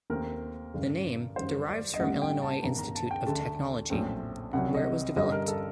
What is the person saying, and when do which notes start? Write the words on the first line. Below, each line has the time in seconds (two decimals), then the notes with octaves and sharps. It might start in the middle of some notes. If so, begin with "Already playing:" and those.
The name derives from Illinois Institute of Technology, where it was developed.
0.10 D#2 D#3 A3 C4 A#4
0.74 A1 G2 D3
1.36 F#2 D#3 G3 C5
1.69 D5
1.94 D#5
2.00 A1 A2 G3 A#3 F#5
2.22 G5
2.42 A5
2.63 G1 G2 D#3 A#5
2.79 A#5
2.95 A5
3.11 G5
3.26 D2 D3 A3 A5
3.90 A#1 A2 F#3 A3 C4
4.53 C2 C3 F#3 F#5
4.75 D#5
5.16 G2 D3 G3 D#5
5.32 A#4
5.48 A4